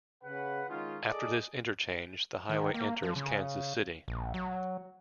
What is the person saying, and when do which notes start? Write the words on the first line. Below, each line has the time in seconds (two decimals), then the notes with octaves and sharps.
After this interchange, the highway enters Kansas City.
0.23 C#3 B4 F#5
0.69 D#3 G#3 C#4 D#4 F4
1.07 G#4 A4 D5 D#5
2.49 D#3
2.74 A#3
3.03 F3
3.16 C#3
4.08 A#1
4.34 F#3